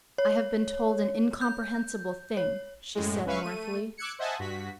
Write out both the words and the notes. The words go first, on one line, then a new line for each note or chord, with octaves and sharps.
"I have been told an incomprehensible thing," she said mournfully.
C#5
G6
C#5
F#2 A2 G#3
C#2 C#4 B4 E5 F5 C#6
A3 D#7
D6 E6 F#6 G#6 C#7
C5 D#5 E5 F#5 G#5 A5
G2 F#4 B6